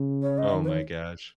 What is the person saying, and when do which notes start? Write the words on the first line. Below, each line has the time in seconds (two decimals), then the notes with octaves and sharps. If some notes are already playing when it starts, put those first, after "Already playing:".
Oh my gosh.
Already playing: C#3
0.23 C#5
0.38 D#5
0.53 D#3
0.64 B4
0.68 C#5